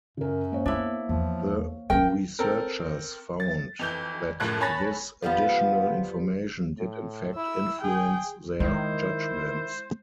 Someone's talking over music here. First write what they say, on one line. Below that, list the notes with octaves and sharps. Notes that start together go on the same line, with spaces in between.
The researchers found that this additional information did in fact influence their judgements.
F#2 C#3 A#4
A#3 C5 C#5
B3 D4 E4
E2 F3
G2 F#3 C#4 A#4 G5
C4 A4 A#4
A6
F2 E3 G6
F#1 A2 F3 F#6 G#6
C#5 G#5 A5 B5 A6 A#6
F3 G3 B3 F4
A2
E4 E6
G#4 G5
D#3 G#3 E4 C5